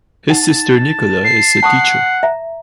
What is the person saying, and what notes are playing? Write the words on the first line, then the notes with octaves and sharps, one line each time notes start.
His sister Nicola is a teacher.
D#4 F#5 A5
C7
F#5 A5 C#6 D#6
E5 A#5